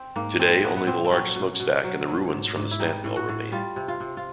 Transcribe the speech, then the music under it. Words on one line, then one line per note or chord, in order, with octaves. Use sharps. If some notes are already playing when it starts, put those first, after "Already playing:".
Today, only the large smokestack and the ruins from the stamp mill remain.
Already playing: C4
G#2 A#3
F3 C4
A#2 B3
B3
A#2 C4
C4
F#3 C#4
B2
B2
F#3
F#3
G#2
G#2
E4
G3 D#4
A2
F#4
A2
G3 F4
C3
F4
C3
F4